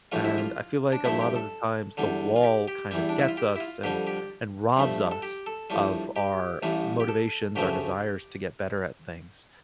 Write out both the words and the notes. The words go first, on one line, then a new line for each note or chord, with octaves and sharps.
and I feel like a lot of the times, the wall kind of gets us and and robs us of our motivations our desires to get better at things,
A#1 A2 E3 G3 F4
E4
F4
D4
G2 F3 A3 E4
G4
A4
E2 D3 G3
F4
G4
G4
E2 E3 G3
D4
E4
F4
G4
E4
F4
F2 D3 G3 G4
G4
G2 F3 A3
A4
G4
A4
A#1 A2 G3
G4
A1 A2 E3 G3
G4
A4
D2 C#3 F3 A3 G4